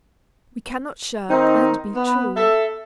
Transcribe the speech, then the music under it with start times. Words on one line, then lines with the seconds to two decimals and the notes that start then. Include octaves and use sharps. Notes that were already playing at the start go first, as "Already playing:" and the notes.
We cannot shirk and be true.
1.30 D#3 C4 D#4
1.95 B3 B4
2.37 A4 E5